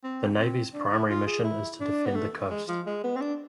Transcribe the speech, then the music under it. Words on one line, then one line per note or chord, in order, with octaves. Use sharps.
The Navy's primary mission is to defend the coast.
C4
C4
D4
E4
F4
G#4
E4
D4
B3
A3
G#3
F3
G#3
B3
C4
D4